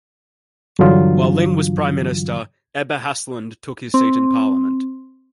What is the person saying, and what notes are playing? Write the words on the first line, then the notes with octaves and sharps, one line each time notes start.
While Lyng was Prime Minister Ebba Haslund took his seat in parliament.
G2 D3 E3 F#3 F4
C4